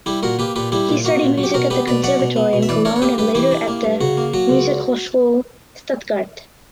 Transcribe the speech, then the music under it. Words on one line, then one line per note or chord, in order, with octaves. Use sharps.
He studied music at the Conservatory in Cologne and later at the Musikhochschule Stuttgart.
G3 E4 G4
A#2 F#4 A#4
A#3 G4 B4
A#2 G4 B4
G3 E4 G4
A#2
A#3 F#4
A#2
F#3
G4
B2 F#4 A#4
B3 G4 B4
B2 B4 D5
F#3 D5 F#5
B2
B3
B2
E5
E3 B4 D5
D4 A#4 C#5
C#5
A#3 G4 B4
G2 G4 B4
E3 E4 G4
D4
A#3
G2
C#3 F#4
A#3
F#3 F#4
C#2